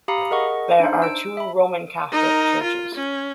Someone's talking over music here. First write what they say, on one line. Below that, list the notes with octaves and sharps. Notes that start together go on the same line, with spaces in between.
There are two Roman Catholic churches.
G4 F5 A#5 B5 D#6 C#7
G#4 A#4 D#5 F#5 C#6
D4 D#4 C5
E6 D7
E5 B5
D#4 A#4
F4
C#4